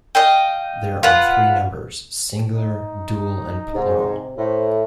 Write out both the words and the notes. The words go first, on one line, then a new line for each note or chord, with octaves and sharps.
There are three numbers, singular, dual and plural.
D#5 F5 G5
F4 B4 F#5
D#4
G#2 C3
A2 C5